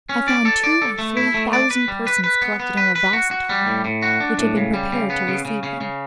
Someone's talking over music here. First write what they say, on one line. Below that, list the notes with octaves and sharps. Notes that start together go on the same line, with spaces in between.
I found two or three thousand persons collected in a vast hall which had been prepared to receive them.
C#4
D5
A4
D5
A4
A3
E4
A3
D5
B4
G3
B4
B4
B3
B3
B4
B4
F#4
F#4
G3
A2
A2
F#4
D4
A2
C#3
G3
C#3
B3
C#3
C#3
C#3
C#3